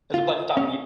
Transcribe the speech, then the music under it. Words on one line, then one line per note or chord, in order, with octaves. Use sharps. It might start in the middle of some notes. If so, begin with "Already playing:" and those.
It's a pleasure talking to you
F4
C#4